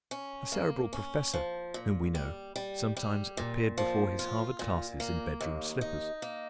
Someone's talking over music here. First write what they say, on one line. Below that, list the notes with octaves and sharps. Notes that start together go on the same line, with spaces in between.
A Cerebral professor whom we know sometimes appeared before his Harvard classes in bedroom slippers.
C#4
A#3
C#4
F3
A#2
G3
G3
G3
A#2
F3
F4
A#2
A#3
D#2
D#4
A#3